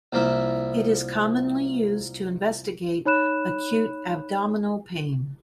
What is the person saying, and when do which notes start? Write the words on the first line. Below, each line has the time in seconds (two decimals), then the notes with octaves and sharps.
It is commonly used to investigate acute abdominal pain.
0.13 C2 F3 A#3 E4 E5
3.05 D#4 C#5 B5 F#6 E7